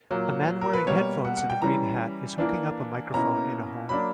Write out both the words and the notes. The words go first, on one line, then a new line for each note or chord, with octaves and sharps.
A man wearing headphones and a green hat is hooking up a microphone in a home.
A#2 F#3 A#3
A#4
B4
B2 G3 A#3 C#5
F#5
F#5
G5
E3 G3 C#4 E4 A#5
E3 A#3 D4
B2 A#3 C#4 E4 A#5
F#3 A#3 D4 B5